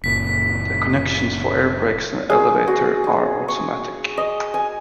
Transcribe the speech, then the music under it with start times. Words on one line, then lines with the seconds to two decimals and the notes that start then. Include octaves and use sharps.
The connections for airbrakes and elevator are automatic.
0.04 F#1 A#2 B6
2.30 G#4
2.68 F#4
3.04 G#4
3.48 C#6
4.18 D#5
4.54 G#5